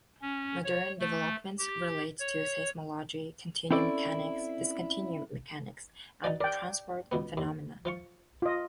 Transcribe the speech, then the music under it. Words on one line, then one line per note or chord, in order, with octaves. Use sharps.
Modern developments relate to seismology, continuum mechanics, discontinuum mechanics, and transport phenomena.
C#4
C#5
A3
G4
C#5
C4 C#4 E4 A4 D5
D#4 F#4 D5
A#4 D5 G5
C#2 B2 B3
D#2
F3 F4 C#6
F4 D#5